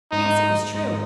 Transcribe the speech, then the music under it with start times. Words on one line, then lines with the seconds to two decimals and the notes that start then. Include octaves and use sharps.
Yes; it was true.
0.11 G#2 D#4
0.74 G#2